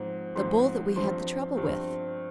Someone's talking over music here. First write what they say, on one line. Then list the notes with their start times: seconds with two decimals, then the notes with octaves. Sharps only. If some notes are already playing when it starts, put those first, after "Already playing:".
The bull that we had the trouble with.
Already playing: G#2 F3 C4
0.35 G#2 F3 C4 C6
0.96 G2 F3 C4 C6
1.57 G2 F3 C4